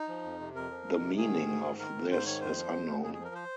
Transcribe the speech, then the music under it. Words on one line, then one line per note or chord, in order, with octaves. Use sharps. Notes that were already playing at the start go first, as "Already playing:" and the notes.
The meaning of this is unknown.
Already playing: D#4
F3
F2
C3
F2 A#4
F3
F2
C3
D#3 G#4
G#2
G#2
D#3
D#3 A#4
G#2
G#2 C5
D#3 C#5
F2 C5
F3
F2
C#3
F2 G#4
G#4
F3 A#4
C5